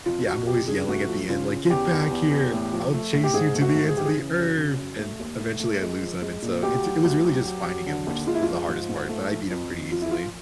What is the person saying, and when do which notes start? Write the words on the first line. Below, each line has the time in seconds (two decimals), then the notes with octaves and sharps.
Yeah, I'm always yelling at the end, like," Get back here, I'll chase you to the ends of the Earth," and eventually, I lose him, and so it it was really just finding him, which was the hardest part, but I beat him pretty easily.
0.06 F2 F4
0.26 F2 F#4
0.46 F2 G4
0.68 C#3 G#4
0.88 A3 F#4
1.08 F3
1.29 C#3 F4
1.50 C#3
1.70 E2 G4
1.91 E2
2.11 E2
2.31 E2
2.52 A2
2.73 F3
2.94 A3
3.14 A2
3.24 G4
3.34 G#2 G#4
3.55 A3
3.61 F#4
3.75 G#2
3.89 G#4
3.96 E3 G4
4.05 G#4
4.17 C#3
4.38 F#2
4.58 C#3
4.78 F#2
4.99 A3
5.19 D#2
5.40 A3
5.60 A3
5.81 G#3
6.02 F3
6.22 G#3
6.42 A#2
6.63 D2 G4
6.83 F#3
7.04 D2
7.25 F#3
7.45 F#3
7.66 F#3
7.86 D3
8.07 D#2
8.27 G#3 F4
8.35 E4
8.43 F4
8.48 F3
8.68 G#2
8.89 G#2
9.09 A3
9.30 F3
9.50 F2
9.71 F2
9.91 F3 F4
10.02 E4
10.11 F3 F4